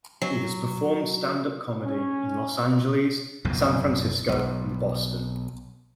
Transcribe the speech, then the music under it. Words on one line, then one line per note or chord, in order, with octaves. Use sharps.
He has performed stand-up comedy in Los Angeles, San Francisco, and Boston.
F#3
C#4
F#1 B1 F2 A2
B1